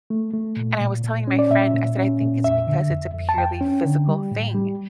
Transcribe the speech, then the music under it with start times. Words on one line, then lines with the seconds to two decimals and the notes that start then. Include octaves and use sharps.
and I was telling my friend, I said, "I think it's because it's a purely physical thing,
0.10 A3
0.33 A3
0.57 A#2
0.80 A#2
1.04 A#2
1.28 C#4
1.39 D5
1.51 A#2 E5
1.74 A#2
1.97 C#4
2.21 A#2
2.44 F2 E5
2.67 D3
2.91 F2
3.14 F2
3.29 A5
3.38 F2 G5
3.61 C#4
3.85 D3
4.08 G3
4.31 A2
4.55 G3